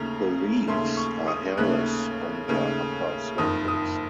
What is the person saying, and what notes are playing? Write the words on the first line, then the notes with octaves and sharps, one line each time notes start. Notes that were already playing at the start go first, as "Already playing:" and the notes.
The leaves are hairless on their upper surface.
Already playing: D#2 C#3 A3 A#5
D#2 C#3 A3 C6
C#6
D#6
D#2 C#3 A3 F#6
D#2 C#3 A3
F#1 F2 D#3 D#6
D#6